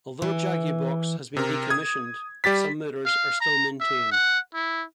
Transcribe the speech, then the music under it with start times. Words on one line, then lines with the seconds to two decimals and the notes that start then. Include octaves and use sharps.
Although Jagubox has been decommissioned, some mirrors are still maintained.
0.22 E3
1.37 C3 A#4
1.70 D#6 G#6
2.44 G3 G4 A6 B6
3.06 F5
3.40 A#5
3.80 E5
4.11 F#5
4.54 E4